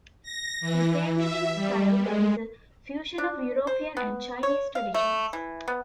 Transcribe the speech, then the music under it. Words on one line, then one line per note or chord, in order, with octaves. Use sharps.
He painted in a style that is a fusion of European and Chinese traditions.
A#6
E3
E5
G3
G#3
D4
C5
B3
C#5
F5
A3
E3
B3